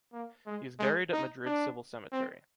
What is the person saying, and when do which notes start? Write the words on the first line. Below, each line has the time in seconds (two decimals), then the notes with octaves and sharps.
He is buried at Madrid Civil Cemetery.
0.13 A#3
0.46 G#3
0.79 G#3
1.13 D#4
1.45 D4
2.12 C4